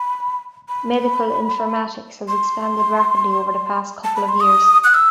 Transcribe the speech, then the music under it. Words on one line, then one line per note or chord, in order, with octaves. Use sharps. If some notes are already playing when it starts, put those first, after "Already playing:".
Medical informatics has expanded rapidly over the past couple of years.
Already playing: B5
B5
C6
A5
B5
C6
D#6
F#6
E6